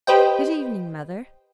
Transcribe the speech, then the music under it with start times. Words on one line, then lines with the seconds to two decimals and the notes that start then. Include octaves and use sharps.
'Good evening, Mother.'
0.07 G4 B4 C5 D#5 G5